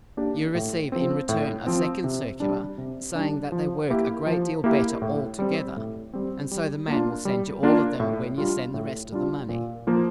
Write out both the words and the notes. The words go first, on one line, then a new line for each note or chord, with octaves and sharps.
You receive in return a second circular, saying that they work a great deal better all together, and so the man will send you all of them when you send the rest of the money.
A#3 D4 G4
A2
F3 C4
A2
F3 C4
C3
G3 D4
C3
G3 D4
F3
A#3 E4 G4
F3
A#3 E4 G4
A2
G3 C4
A2
G3 C4
G3
A#3 D4 F4
G3
A#3 D4 F4
A2
G3 D4 F4
A2
G3 D4 F4
A#2
F3 A#3 F4